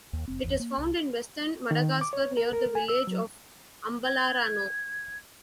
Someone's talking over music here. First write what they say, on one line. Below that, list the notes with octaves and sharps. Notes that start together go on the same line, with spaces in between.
It is found in Western Madagascar, near the village of Ambalarano.
D#2
F1 C4
G1 E2
A#3
C2
D#3
D6
C#5
A#4
A#4
G#5
E6
F#3
G#6